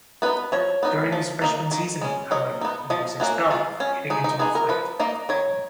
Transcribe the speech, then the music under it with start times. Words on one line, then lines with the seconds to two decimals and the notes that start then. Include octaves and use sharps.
During his freshman season, however, he was expelled for getting into a fight.
0.22 B3 D#4 B4
0.52 F3 C#5
0.83 B3 D#4
1.12 F3
1.42 A#3 D#4
1.71 D#3
2.02 G#3 C#4
2.31 F#3 D#5
2.61 B3 D#4
2.90 F3 D#5
3.20 A#3 C#4 F#4
3.50 G#3 F4
3.80 C#4
4.10 G#3 D#4
4.24 D#4
4.39 B3 D#4 G#4
4.55 A#4
4.69 F3 B4
5.00 A#3 D#4 D#5
5.29 D#3 C#5